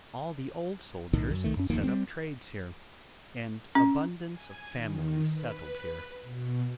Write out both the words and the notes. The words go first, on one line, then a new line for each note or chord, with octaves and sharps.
All the old soldiers set up trades here, and abundance of families settled here.
B1 A2 D#3
F#2
C2 D#3 A3
F#2 C#4
D1 F2 D#3 A#3
G3 A3 C4
C#4
G#5
D#3
B4
B2